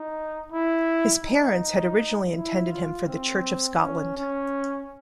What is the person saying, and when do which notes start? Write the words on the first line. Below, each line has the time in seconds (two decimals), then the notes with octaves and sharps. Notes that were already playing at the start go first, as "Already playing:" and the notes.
His parents had originally intended him for the Church of Scotland.
Already playing: D#4
0.52 E4
1.24 D#4
2.35 E4
2.71 F4
3.07 C4
3.81 C#4
4.17 C#4